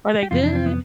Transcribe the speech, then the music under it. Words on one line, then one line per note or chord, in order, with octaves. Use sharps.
Are they good?
G4
F2 C3 E3 F4
D4
C4
B3